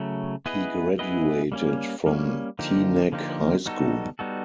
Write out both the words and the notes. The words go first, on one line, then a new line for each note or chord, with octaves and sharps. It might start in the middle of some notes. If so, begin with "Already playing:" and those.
He graduated from Teaneck High School.
Already playing: C#3 F#3 A3
B3 E4 G#4 B4 D#5
B3 E4 G#4 B4 D#5
G3 A#3 C#4
G3 A#3 C#4
D3 F3 A#3 D#4 G4
D3 F3 A#3 D#4 G4
G3 B3 D#4 F#4 A4
G3 B3 D#4 F#4 A4